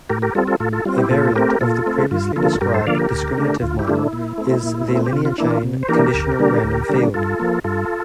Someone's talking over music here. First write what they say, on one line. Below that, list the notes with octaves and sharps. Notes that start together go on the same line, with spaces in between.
A variant of the previously described discriminative model is the linear-chain conditional random field.
A2 G4 A#4
G4 A#4
G3 C4 F4 A4
F4 A4
A2 F4 A4
F4 A4
G3 C4 F4
E4 G4
A#2 F4 A4
A3 C4 G4 A#4
A#2 F4 A4
A3 C4
G2 F4
D3 F3 A#3 F4 A4
G2 G4 A#4
A4 C5
D3 F3 A#3 D5 F5
G4 A#4
D2
D3 A3 D4
D2 F4
E4 G4
D3 A3 D4 F4
E4
A#2
A3 C4
A#2
A3 C4
G4
C3 F4
F4
E3 A#3 D4 E4
F4
C3
C5
E3 A#3 D4 G4 A#4
D2
D3 G3 A#3 D4
D2
D3 G3 A#3 D4
G2 F4 A4
F3 A#3
G2 F4 A4